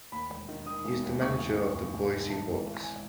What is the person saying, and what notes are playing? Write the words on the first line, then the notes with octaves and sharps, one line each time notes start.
He is the manager of the Boise Hawks.
D#2 B5
E1
D#3
D#3 D#6
E1
D#2
D#2 C#6
E1
E1
E1
E1
D#3
G#1 A5
E3
G#1
G#5